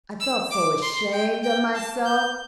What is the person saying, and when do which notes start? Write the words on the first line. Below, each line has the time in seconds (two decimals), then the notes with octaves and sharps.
I felt so ashamed of myself.
0.20 E6
0.51 D6
0.82 C6
1.12 G5
1.43 G5
1.75 A5
2.05 G6